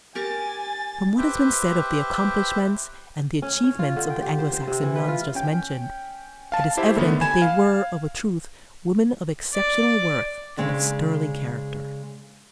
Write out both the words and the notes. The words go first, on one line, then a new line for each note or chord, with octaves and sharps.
From what has been said of the accomplishments and achievements of the Anglo-Saxon nuns just mentioned, it is evident that they were, of a truth, women of exceptional worth and of sterling character.
G4 A#4 G#5 C#6 A6
G4 B4 C5 E5 G5
C#4
C#5
F4
D3
G5
G4
C5
C5
C3
E3
B4
F4
C#4 G5
F5 A5
E4 G4 C5 E5
D3 D#3 A3 B3
G#5 B5 G#6 E7
F5
D5
C#3 G#3 C4 D4